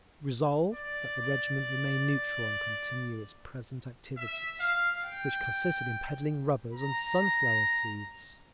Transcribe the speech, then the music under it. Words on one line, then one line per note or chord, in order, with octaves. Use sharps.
Resolved, that the regiment remain neutral, and continue its present activities--which consisted in peddling rubbers and sunflower seeds!
D5
E5
F5
G5
A#5